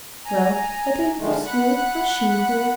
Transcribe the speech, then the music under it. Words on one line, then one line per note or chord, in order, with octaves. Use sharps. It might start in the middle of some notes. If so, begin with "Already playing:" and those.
"Well--whether it was you or she who..."
G#5 A#5
A#2 D3 D#3 F3 G#3 A3
F#5 B5 F#6